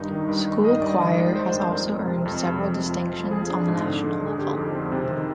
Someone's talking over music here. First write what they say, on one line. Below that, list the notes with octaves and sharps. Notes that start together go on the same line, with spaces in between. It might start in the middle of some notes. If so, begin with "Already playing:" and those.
School choir has also earned several distinctions on the national level.
Already playing: G2 D#3 D#4
D#3
G2
D#3
D#3 D#5
G2 D5
D#3 D#5
G#3 D5
G#3 C5
G2
F2 A#4
G#3
C3
F2
C3
F2
F3
F3
F3
F3 G#4
D4
G#2
D3
D3
D3
G#4
D3 G4
F2
C4
C3
D#3